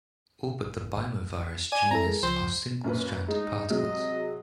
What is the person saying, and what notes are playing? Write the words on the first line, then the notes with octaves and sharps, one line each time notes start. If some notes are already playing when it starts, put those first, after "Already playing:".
All but the "Bymovirus" genus are single-stranded particles.
D5 G#5
C4 E4 A4 A#5
G#3 G#4 A#4
C#2 F3 C5
F#2 A#3 B4
G#3 D#4
C3 F#3 G#3 D#5